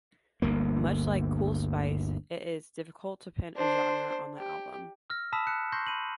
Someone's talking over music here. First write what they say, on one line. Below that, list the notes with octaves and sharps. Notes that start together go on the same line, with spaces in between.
Much like Kool Spice, it is difficult to pin a genre on the album.
G1 D2 A#3
D4 C5
G4
E6 F6 A#6
A5 B5 D#6 E6 B6 E7
F#6 C#7
C6 C#6 F#6 G6 A#6 C7
B5 D#7 F#7